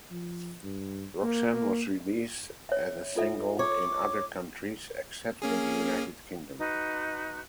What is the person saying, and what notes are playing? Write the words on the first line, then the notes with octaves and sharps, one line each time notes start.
"Roxanne" was released as a single in other countries except the United Kingdom.
F3
G2
A#3
C#5 E5
F4 A4 E5
C#5 D6
A#3 C#4 G#4
D#4 F#4 B4